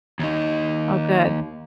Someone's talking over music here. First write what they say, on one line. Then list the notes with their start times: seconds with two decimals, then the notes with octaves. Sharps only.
Oh, good.
0.19 D#2 D#4